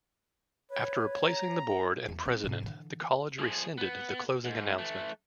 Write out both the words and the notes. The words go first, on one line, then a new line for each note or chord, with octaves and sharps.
After replacing the board and president, the college rescinded the closing announcement.
B4 C#5
A#5
E2
C4
G#2 C3
D3 E3
F3 G#4
B3
G#2
E3 A3